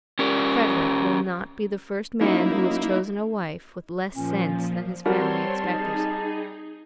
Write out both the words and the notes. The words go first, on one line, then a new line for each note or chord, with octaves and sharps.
Frederick will not be the first man who has chosen a wife with less sense than his family expected.
C#4 G4 A#4
F#2 A#3 D#4 E4
A#2 F3 C#4
G3 C4 F#4 A#4 C#5 A5 C6
D#4 G#4